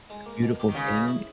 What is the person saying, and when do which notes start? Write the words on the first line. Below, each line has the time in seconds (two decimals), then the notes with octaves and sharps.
beautiful thing
0.10 G#3
0.26 A#3
0.43 B2
0.60 G4
0.68 D#3
0.75 C#3 G#3
0.92 B2
1.08 E4